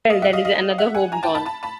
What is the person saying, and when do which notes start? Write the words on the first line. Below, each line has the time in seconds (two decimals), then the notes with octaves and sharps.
Well, that is another hope gone.
0.10 D#5 F5
0.22 E5 F#5
0.33 D#5 F5
0.45 D#5 F5
0.78 E5 F#5
0.95 F#5 G#5
1.12 G#5 A#5
1.23 G5 A5
1.34 A5 B5
1.45 A5 B5
1.63 A5 B5